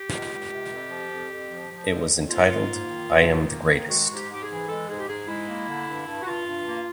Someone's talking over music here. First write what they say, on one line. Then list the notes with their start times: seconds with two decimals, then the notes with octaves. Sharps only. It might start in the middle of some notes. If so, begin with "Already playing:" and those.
It was entitled I Am the Greatest!
Already playing: G4
0.11 C#2
0.32 C#2
0.52 C3
0.71 F2
0.91 F3
1.11 F2
1.30 F2
1.50 F3
1.71 F3
1.90 F2
2.10 F2
2.29 G#2 F4
2.49 G#2
2.69 A#3
2.89 D#3
3.09 G#2
3.29 D#3
3.48 A#3
3.69 D#3
3.88 G#3 F#4
4.08 G#2
4.15 G4
4.29 G#2 G4
4.42 G#4
4.48 E3
4.68 G#3 A4
4.88 G#2 G#4
4.99 G4
5.07 G#2 G#4
5.27 G#3 E4
5.47 A#3
5.68 D3
5.87 G2
6.07 G2
6.22 F#4
6.26 G2 F4
6.46 G2
6.66 A#3